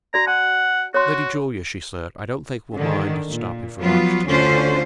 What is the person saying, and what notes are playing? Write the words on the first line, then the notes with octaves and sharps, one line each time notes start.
"Lady Julia," she said, "I don't think we'll mind stopping for lunch to-day."
F#4 D5 A#5
F#5 A5
F#4 C#5 C6
D3 D#3
A#2
F3 F#3 B3 F4
D2 D3 C#4 D4 F4 C5